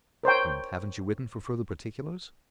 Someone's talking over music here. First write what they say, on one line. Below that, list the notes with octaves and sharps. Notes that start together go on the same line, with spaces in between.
"And haven't you written for further particulars?"
A#4 C5 C#5 G5